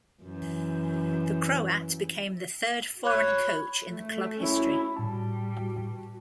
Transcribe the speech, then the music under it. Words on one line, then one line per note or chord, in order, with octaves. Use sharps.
The Croat became the third foreign coach in the club history.
F#2 E3
C#5 B5 F#6
A3
C#4 E4
A2 G3 A5